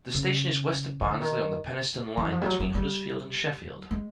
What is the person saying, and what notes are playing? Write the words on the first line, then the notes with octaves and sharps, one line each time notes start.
The station is west of Barnsley on the Penistone Line between Huddersfield and Sheffield.
C#3
D#3
D3
D#3
E3
F3
G3
F#3
F#3
G3
G#3